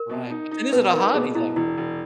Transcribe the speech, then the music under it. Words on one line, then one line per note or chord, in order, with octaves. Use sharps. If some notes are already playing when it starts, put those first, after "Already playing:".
Right. But, then, is it a hobby, though?
Already playing: A#4
B2
D#4
D#4
B2 B4
D#4 A#4
B2 G#4
B2 E4
E1 E4
E1